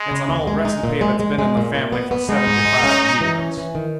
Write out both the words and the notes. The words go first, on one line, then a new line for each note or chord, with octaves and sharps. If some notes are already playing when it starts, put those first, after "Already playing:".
It's an old recipe that's been in the family for seventy-five years.
Already playing: G#3
C#3
D#2
G#3
D#4
A#2
G#3
G#3
G#3
A#2
A#2
B3
B3
G#3 D#4
G#2
G#3
C#4
G#2
E3
C#4
E3
D#3